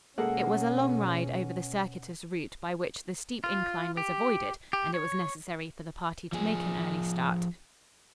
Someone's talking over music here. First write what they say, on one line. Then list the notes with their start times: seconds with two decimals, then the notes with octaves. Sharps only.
It was a long ride over the circuitous route by which the steep incline was avoided and it was necessary for the party to make an early start.
0.18 B2 G#3 A#3 C#4 A4 F#5
3.44 F4
3.97 G4
4.73 G4
4.94 C#5
6.32 F3 G#4